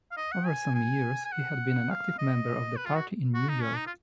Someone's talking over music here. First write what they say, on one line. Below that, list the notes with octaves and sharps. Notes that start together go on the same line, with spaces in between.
Over some years, he had been an active member of the party in New York.
F5
D#5
F#5
G#5
G#5
G#5
F#5
F5
D#5
B4
F4
F#4
F#4
D#4
C#4
D#4
F4